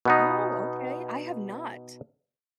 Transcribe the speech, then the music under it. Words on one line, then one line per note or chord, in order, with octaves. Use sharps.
Oh, okay. I have not.
B2 B3 D#4